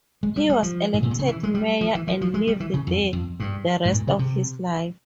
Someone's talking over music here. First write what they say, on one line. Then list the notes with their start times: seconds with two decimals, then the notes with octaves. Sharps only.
He was elected mayor and lived there the rest of his life.
0.23 G#3
0.36 G3
0.49 G3
0.63 F3
0.94 G#2
1.03 A#2
1.11 C3
1.19 C#3
1.28 E3
1.43 G#3
1.55 G3
1.81 F3
1.95 E3
2.08 F3
2.21 F3
2.34 G#3
2.47 G3
2.60 E3
2.74 C#3
2.87 F2
3.13 F2
3.40 G2
3.85 G#2
3.92 A#2
4.07 C#3
4.19 C3